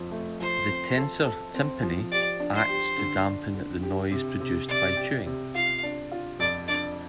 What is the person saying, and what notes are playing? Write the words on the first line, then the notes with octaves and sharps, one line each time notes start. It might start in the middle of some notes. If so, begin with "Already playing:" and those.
The tensor tympani acts to dampen the noise produced by chewing.
Already playing: F2 F3
A3
F3 C5
C4
A4
A4
C4
F3
G4 D5
D4
C5
G4
D3
D4
D3
G4
C3
C3
C3 D5
G4
C3
F4 F5
D4
F4
F2 D5
D4 D5